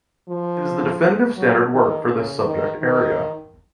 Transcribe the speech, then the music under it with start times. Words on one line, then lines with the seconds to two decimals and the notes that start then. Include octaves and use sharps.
It is the definitive standard work for this subject area.
0.29 F3
1.37 F#3
1.74 D#3
2.09 C#3
2.46 D#3
2.81 D#3